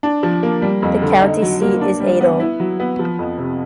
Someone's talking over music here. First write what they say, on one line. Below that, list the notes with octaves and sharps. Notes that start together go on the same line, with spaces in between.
The county seat is Adel.
D4
F3
A#3
G3
F2
D3
D#4
F#3
A#3
D4
G3
B3
E4
F#3
B3
F3
F2
C3